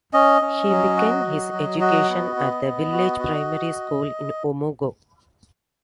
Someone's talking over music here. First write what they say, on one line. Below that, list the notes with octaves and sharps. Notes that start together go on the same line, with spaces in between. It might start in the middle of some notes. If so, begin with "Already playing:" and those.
He began his education at the village primary school in Umuagu.
C#4 D#5
C#4
F#3
F#4
F#3
F#3
F#4 D#5
B3
B3
B3
F#4
F#4